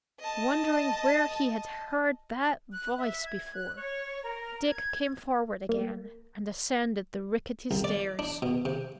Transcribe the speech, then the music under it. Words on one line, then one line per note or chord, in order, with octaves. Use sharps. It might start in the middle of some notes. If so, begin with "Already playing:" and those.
Wondering where he had heard that voice before, Dick came forward again and ascended the rickety stairs.
D#5 A5
F#6
E5
G#6
F#6
C#5
A#4
G#6
A#3
C2
D5
D4
B2
C3